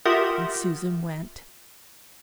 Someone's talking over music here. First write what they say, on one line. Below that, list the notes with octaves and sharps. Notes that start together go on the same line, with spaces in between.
And Susan went.
F4 G4 A#4 E5 F#5 D#6